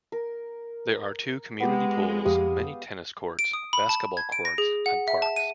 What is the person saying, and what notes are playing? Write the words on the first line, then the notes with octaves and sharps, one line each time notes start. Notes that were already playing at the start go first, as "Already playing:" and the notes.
There are two community pools, many tennis courts, basketball courts and parks.
A#4
G#3 B3 G4
F2 G4 F5 D#6
D7
D#6
B5
A5
G#6
D7
A#6
G#4
F#5
E5
A5
D#7